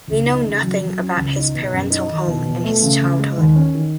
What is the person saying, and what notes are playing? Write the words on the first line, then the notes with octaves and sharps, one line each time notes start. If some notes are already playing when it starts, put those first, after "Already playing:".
We know nothing about his parental home and his childhood.
C#2
D#4
C#3
F#3
F#3
C#4
C#2
D#4
B2
F#2
D#4
D#3
B2
B2
A3
C#3
C#3
G#3
D#2
C#4
D#3